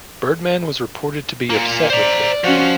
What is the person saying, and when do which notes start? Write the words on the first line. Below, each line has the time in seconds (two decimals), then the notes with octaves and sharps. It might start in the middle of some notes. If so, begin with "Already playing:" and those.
Birdman was reported to be upset with this.
1.50 A#2 A#3
1.90 C5 D5 A#5
2.44 F3 C#4 F#4